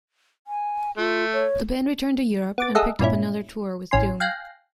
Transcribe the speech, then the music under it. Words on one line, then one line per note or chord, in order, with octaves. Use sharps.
The band returned to Europe and picked up another tour with Doom.
G#5
A3 F4
C#5
B3 D6 A6
G#4 A4 D#5 E5 F#5
G2 A#2 C#4 E4
A1 C#4 G#5 C6
F5 G5 G#5 F#6 A#6 C7